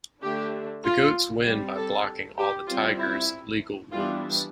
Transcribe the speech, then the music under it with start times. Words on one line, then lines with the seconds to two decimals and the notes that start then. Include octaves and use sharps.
The goats win by blocking all the tigers' legal moves.
0.22 D3 A3 D4 G4
0.84 F4
1.46 G3 C4
1.76 A4
2.38 G4
2.69 G3 C4 F4
2.99 E4
3.92 E3 G3 B3 D4 F4